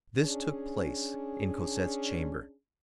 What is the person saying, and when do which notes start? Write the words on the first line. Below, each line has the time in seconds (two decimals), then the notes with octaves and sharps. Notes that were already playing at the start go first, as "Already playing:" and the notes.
This took place in Cosette's chamber.
0.21 C#4 D4 G#4